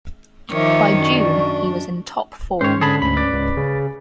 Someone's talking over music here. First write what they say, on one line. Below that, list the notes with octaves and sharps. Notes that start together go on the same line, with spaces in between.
By June, he was in top form.
D#3 F3 A#4 C#5 E5 D6
F#2 D4 D5 C#6
G#2 C#4 C5 C#5
D3 G#4 A5 B5
D2 B5
B4 D5
C#2
C#3